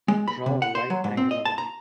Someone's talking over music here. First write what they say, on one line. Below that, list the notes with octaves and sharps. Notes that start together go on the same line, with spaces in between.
Draw a right-angular line.
G#3
B5
C3
F#5
C5
F#3
G#2
C4
D#5
A5
A#5